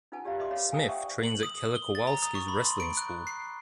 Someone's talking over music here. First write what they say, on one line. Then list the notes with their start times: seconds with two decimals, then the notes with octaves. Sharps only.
Smith trains at Killer Kowalski’s wrestling school.
0.12 D#4 F4 B4 F#5 G#5 A5
0.25 F#4 G4 D5 F5 A#5
0.38 B4 D#5 E5 C6 D6
0.51 D#4 A#4 C#5 F5 B5
0.72 F5 G#5 A5 D#6 E6
0.88 C5 D5 E5 F#5 G5 C#6
1.23 F#7
1.43 D#6
1.75 G7
1.95 A6
2.07 A#5
2.22 D#6
2.35 C#6
2.48 B5
2.65 C6
2.80 D7
2.97 F#6
3.27 C7